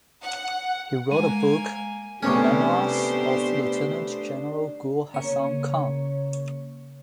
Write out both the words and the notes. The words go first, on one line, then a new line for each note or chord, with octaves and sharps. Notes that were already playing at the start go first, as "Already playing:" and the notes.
He wrote a book "Memoirs of Lieutenant General Gul Hassan Khan".
F#5
G#3 A#3 G#5 D#7
C3 A3 B3 C#4 D4 G4 C5 C#6
C#3 A#3 C#5